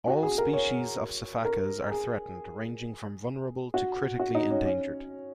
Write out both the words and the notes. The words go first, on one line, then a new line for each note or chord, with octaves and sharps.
All species of sifakas are threatened, ranging from vulnerable to critically endangered.
F#4
G#4
A#4
C#5
A#4
G#4
F#4
F#4
D#4
C#4
C#4